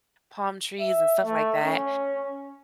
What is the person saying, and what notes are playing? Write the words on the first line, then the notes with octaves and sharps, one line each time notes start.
palm trees and stuff like that.
E5
A3
C#4